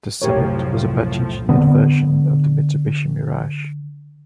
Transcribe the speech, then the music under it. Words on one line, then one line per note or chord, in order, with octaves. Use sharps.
The Summit was a badge engineered version of the Mitsubishi Mirage.
C2 F#2 A2 F3 G4 A#4 C#5
D3 B3